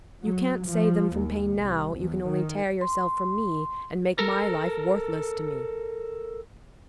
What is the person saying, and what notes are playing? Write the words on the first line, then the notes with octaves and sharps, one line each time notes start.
You can't save them from pain now; you can only tear yourself from me, and make my life worthless to me.
F#3
F3
D#2
C2
E2
D#3
C6
A4 A#4